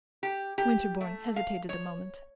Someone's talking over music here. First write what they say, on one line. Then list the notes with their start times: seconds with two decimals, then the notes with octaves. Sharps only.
Winterbourne hesitated a moment.
0.23 G4
0.58 G4
1.01 A3
1.36 F5
1.69 C#5